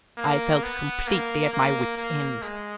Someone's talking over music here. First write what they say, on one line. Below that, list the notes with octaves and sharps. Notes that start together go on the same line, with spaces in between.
I felt completely at my wit's end!
A#3
B3
A#3
A#3
A#3
G#3